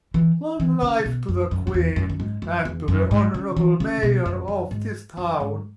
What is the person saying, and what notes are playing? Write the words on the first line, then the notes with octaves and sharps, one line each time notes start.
Long life to the queen and to the honorable mayor of this town!
E3
E3
C#3
B2
F#2
F#2
F#2
E2
F#2
F#2
G#2
F#2
E2
F#2
G#2
C#3
E3
C#3
B2
F#2
F#2
G#2
F#2
G#2